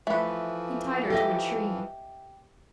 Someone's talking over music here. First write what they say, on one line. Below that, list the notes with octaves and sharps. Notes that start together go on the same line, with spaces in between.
He tied her to a tree.
E3 F3 A3 B4
G4 A4 D#5 E5